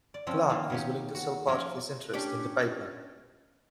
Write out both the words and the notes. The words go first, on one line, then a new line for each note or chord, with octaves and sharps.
Clarke was willing to sell part of his interest in the paper.
D5
F3 C4 C#4 G5
D#3 A#3 B3 F4
D#3 C#4 G4
F#4
F3 C#4 A#4
C#4 D4 G4